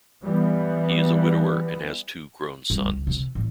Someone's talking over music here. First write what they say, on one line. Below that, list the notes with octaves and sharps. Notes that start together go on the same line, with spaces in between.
He is a widower and has two grown sons.
E3 G3 B3
G3
C#2
C3
A1